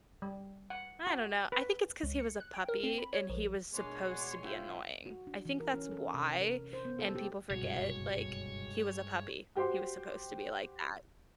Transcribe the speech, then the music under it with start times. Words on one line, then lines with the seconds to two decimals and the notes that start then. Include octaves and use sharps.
I don't know, I think it's 'cause he was a puppy and he was supposed to be annoying. I think that's why, and people forget, like, he was a puppy, he was supposed to be like that.
0.22 G3
0.70 F#5
1.07 F#4
1.52 B4
2.03 C#2
2.19 C#7
2.40 F#6
2.54 G5
2.69 A#4
2.83 C4
2.98 B5
3.13 C#5
3.30 A#1
3.74 B2 G#3 A#3 D4 G#4 C#5 G#5 C6
4.11 F#4 D5
4.43 G#2 F4 E5 G5
5.06 F#4
5.27 D4
5.45 E3
5.60 A#4
5.74 C#4
5.91 A4
6.14 C3
6.41 A#4
6.73 C5
6.85 B3
6.99 A4
7.15 G4
7.51 F#1 C2 G2 B2 G#3 F#4 C#5
9.56 F#4 G4 C5 G5 C6